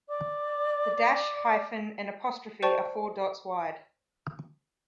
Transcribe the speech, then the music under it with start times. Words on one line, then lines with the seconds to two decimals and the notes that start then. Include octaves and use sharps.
The dash, hyphen, and apostrophe are four dots wide.
0.08 D5 D6
2.63 C5 D5 G5 A5 C#6